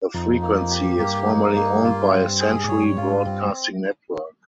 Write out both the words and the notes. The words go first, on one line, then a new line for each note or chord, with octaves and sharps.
The frequency is formerly owned by Century Broadcasting Network.
F2 D#4
A#3
G4
G2 A#3
D#4
A#3
F4
C4
G#4
G#2
G2 C#5
G#2 F4
G2 C4